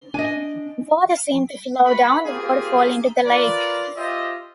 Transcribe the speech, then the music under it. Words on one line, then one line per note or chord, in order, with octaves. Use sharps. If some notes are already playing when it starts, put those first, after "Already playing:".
Water seemed to flow down the waterfall into the lake.
D4 D#5 G#5
F#4 B4 F#5 B5
A#3 C4 F4 G4 G#4
F4 A#4 B4 D5
F4 G4 C5 D#5 E5